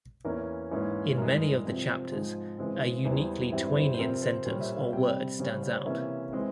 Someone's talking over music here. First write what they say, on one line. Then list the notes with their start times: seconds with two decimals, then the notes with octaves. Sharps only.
In many of the chapters, a uniquely "Twainian" sentence or word stands out.
0.24 E2 E3 A#3 C#4 A#4
0.71 G#2 E3 A#3 C#4
1.18 G2 E3 G#3 A#4
1.65 C3 F3 C4
2.12 G#2 F3 G#3 C5
2.58 C#3 E3 G#3 C4
3.05 E2 E3 G3 C5
3.52 G2 E3 G3 C4 E5
3.75 C5
3.94 C5
3.99 C3 F3 C4 A#4
4.23 C5
4.46 A#2 G3 C#4 C5
4.61 E5
4.77 F5
4.93 C3 G3 C4 G5
5.39 C#3 G3 C#4 C5
5.63 C#5
5.69 C5
5.76 C#5
5.86 C3 E3 A#3 C#4 E5
6.33 E3 G#3 C4